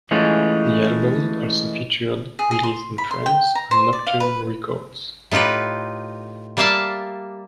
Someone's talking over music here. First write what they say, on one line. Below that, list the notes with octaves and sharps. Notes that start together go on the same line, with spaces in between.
The album also featured release in France on Nocturne Records.
E3 G#3 A3 C#4 F4
G#4
G#4
C6
B5
C6
G5
A#5
C5
D5
F5
B4
A2 D#4 F4 G4 B4
G3 A#3 D5 E5 F5 A5